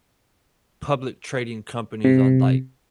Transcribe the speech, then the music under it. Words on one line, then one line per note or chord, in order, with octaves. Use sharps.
public trading companies on, like,
C3